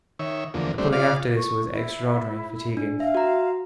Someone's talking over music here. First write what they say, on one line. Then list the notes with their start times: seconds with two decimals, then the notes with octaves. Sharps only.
The pulling after this was extraordinarily fatiguing.
0.19 D#3 C#5 E5
0.54 E2 D3 F3 A#3
0.78 G3 A3 C4 D4
0.93 F4 D5 F5
1.36 C#6
1.73 E4
2.77 D4
3.00 E5 F5
3.15 F#4 A#5